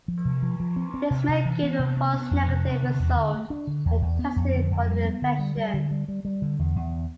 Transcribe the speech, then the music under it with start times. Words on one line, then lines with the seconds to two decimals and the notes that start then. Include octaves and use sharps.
This may give a false negative result when testing for the infection.
0.08 F3
0.25 C3
0.42 F3
0.60 F3
0.76 C4
0.94 C4
1.11 C3
1.28 C3
1.46 E3
1.63 B3
1.79 C3
1.97 B3
2.13 B3
2.31 F2
2.48 C3
2.65 C3
2.82 D3
2.99 E2
3.17 D3
3.34 A3
3.50 D4
3.67 D3
3.86 E2
4.02 E2
4.19 B3
4.36 F2
4.54 D3
4.71 F2
4.88 G3
5.05 B3
5.22 D3
5.39 G3
5.57 G3
5.74 D3
5.91 G3
6.08 G3
6.25 G3
6.42 D3
6.59 E2
6.76 E2